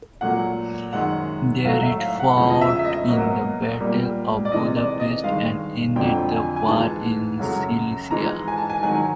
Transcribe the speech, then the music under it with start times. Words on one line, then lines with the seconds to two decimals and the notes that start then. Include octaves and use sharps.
There it fought in the Battle of Budapest and ended the war in Silesia.
0.21 A#2 F#3 A3 F#5
0.93 F#2 D#3 G#3 F#5
1.65 A2 F#3 A3 F5
1.83 E5
2.00 F5
2.20 F#5
2.37 E2 C#3 F3
2.50 D#5
2.61 E5
2.79 E5
2.84 D#5
3.09 B2 F#3 A#3 D#5
3.80 A#2 G3 A#3
4.45 D5
4.52 C3 E3 G#3 D#5
4.76 D5
5.00 D#5
5.23 G2 D#3 G#3 F5
5.96 F2 D3 F#3 A3 G5
6.31 G#5
6.56 G#5
6.67 G#2 E3 G#3 A5
7.39 F#2 C#3 F#3 A3
8.11 G#2 E3 G#3 A#5
8.48 G#5
8.57 A5
8.70 G#5
8.82 G#2 D#3 F#3 G#5